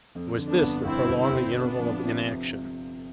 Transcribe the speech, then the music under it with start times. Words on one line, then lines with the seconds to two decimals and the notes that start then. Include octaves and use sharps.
It was this that prolonged the interval of inaction.
0.15 F2
0.38 D3
0.50 B3 D4
0.61 G1
0.85 G1 C4 E4
1.09 G1
1.21 C4 E4
1.32 G1
1.56 C3 B3 D4
1.79 F3
2.03 C3